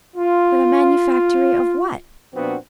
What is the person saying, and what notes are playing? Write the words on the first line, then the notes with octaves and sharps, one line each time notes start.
But a manufactory of what?
F4
A#2 F3 B3 C4 D4 F#4